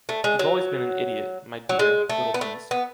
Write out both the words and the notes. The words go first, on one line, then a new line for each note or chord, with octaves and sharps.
You’ve always been an idiot, my dear, little beast.
A3
G#3
F#3
F#3
G#3
A3
B3
A3
B3